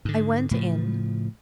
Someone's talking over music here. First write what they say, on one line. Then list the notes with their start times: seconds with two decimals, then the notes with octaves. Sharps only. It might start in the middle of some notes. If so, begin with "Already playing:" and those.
I went in.
0.05 G#2 D3
0.51 A2 C#3 F3